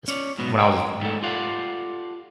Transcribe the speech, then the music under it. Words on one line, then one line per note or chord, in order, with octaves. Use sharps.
s when I was
C#4 C#5 D5
G#2 B2 F#3
C#5 G5 G#5
D#2 G#2 G3 A3 A4
F4 G4 A4 D5 F5 F#5